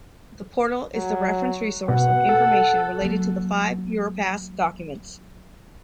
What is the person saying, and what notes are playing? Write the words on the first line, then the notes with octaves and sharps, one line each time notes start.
The portal is the reference resource of information related to the five Europass documents.
F#3
B2 F#5
A4
F#3 A#3